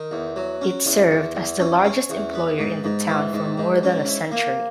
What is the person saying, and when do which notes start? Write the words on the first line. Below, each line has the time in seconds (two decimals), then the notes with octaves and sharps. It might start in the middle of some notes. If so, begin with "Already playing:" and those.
It served as the largest employer in the town for more than a century.
Already playing: D#3
0.11 E2
0.36 F#3
0.61 C#4
0.86 E2
1.11 E2
1.35 E2
1.60 C#4
1.84 C#4
2.10 E2
2.34 B3
2.59 G#2
2.84 G#2
3.08 E3
3.33 G#2
3.58 G#2
3.83 C#4
4.07 E4
4.32 A#3